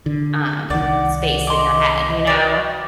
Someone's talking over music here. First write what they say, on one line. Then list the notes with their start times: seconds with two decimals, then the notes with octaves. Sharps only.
um, space in your head, you know,
0.06 D3
0.70 C2 D#3 D5 F#5
1.47 D#5 C6 D6
2.27 F#4 D5